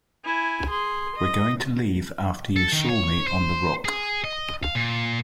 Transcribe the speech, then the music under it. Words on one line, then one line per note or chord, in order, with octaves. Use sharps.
You were going to leave after you saw me on the rock.
E4 G#5
G#4 C6
D#5
A4
D#3
C#5
C5
G#4
D#5
F5
A#2